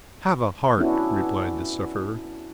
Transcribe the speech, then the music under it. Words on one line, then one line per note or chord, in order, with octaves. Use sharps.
"Have a heart," replied the sufferer.
B3 C#4 D4 E4 F#4